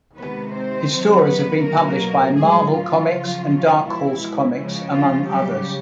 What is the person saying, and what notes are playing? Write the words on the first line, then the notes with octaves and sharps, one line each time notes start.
His stories have been published by Marvel Comics and Dark Horse Comics, among others.
C3 D#3 G#3 B3 B4
C4 C5
C3 D#3 F#3
B3 B4
B2 F#3 A#3 A#4
A2 F#3 G#3 G#4
F3 F4
C#3 F#3
B2 E3 G#3 E4
C#3 F3 G#3
F3 F4
C#3 F#3 G3 G4